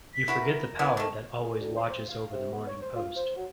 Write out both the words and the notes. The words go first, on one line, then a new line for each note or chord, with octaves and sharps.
You forget the power that always watches over the Morning Post.
B6
E4 F#4 B4
A#4
B3 E4 G#4
D#3 A3
G#4
D2
C6
C5
F5
C3
B3
C#5
C5
F4
C5
F#3